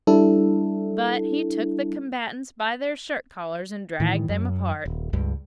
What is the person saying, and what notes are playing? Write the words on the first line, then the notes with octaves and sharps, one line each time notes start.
But he took the combatants by their shirt collars and dragged them apart.
G3 D4 E4 A4
A2 D#3 E3
F#2
D#1
C#2 G2